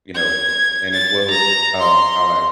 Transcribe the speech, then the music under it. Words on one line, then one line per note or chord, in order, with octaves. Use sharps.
You know, and as well as, um, how I
G#6
A6
A#5
C6